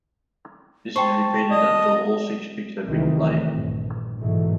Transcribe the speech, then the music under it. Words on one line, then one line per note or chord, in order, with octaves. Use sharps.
This is repeated until all six tricks have been played.
C5 G5 A5 C#6
D5 D#5
C2 D#3 E3 A3 C4
A#1 G2
G#2 B2 E3 F#3 A3